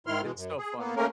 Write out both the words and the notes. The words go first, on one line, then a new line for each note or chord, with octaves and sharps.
It's so funny.
G#2 D#3 E4 C6 F6
B2 E3 G#3
F#2
G#4
A#3 B3
A3 A#3 C#4 A#4